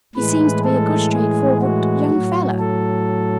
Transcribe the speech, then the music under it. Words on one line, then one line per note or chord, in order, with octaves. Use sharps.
"He seems to be a good straight-forward young fellow."
A2 E3 G#3 B4
A4
G#4
F#4
A2 F#3
A4